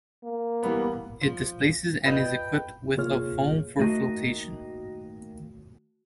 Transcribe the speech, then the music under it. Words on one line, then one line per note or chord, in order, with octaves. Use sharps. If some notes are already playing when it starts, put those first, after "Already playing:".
It displaces and is equipped with of foam for flotation.
A#3
E3 G3 B3
F3
F4 B4 D#5 G5
C3 A#3 F4 G#4 C#5 F6
D#3 A3 A#3 F#4 D#5